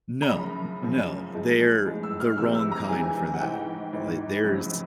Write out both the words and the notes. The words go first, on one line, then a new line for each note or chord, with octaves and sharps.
No. N no. They're the wrong kind for that. Li there's
A#5
F#2 C#3 F3 B5
F#2 C#3 F3
A2 F3 G#3
A2 F3 G#3
E6
F6
F2 C3 E3 G#3 E6
E6
A#5
F2 C3 E3 G#3 G#5
F#5
G#1 G#2 E3 G5
G#1 G#2 E3
F1 F2 C#3 F#3